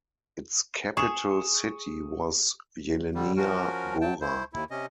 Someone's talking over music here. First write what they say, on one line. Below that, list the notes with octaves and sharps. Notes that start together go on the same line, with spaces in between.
Its capital city was Jelenia Gora.
G#4 C#6 D#6 E7
D3 G3
F3 C#4 F#4 A#4
F#3 G5 A5
E4 C5
D#2 E4
C3 C#4 D#5